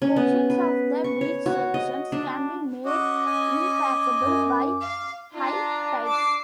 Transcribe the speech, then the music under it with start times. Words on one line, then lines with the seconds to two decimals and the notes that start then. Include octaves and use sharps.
Portions of the beach sections can be made impassable by high tides.
0.02 C#4
0.16 B3
0.50 B4
1.04 C#6
1.21 C#5
1.46 F#4
1.74 D#5
2.12 D4
2.85 C#4 F#4 D#5 D6
3.26 D#5 G#5
4.23 F#2
4.81 F5
5.34 D4 F4 A#5
6.08 D6 E6 C7